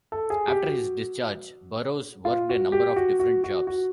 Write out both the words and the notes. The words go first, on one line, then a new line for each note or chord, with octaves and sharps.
After his discharge, Burroughs worked a number of different jobs.
A4
G#4
G4
F#4
F4
F#4
G4
F#4
F#4
F#4
F#4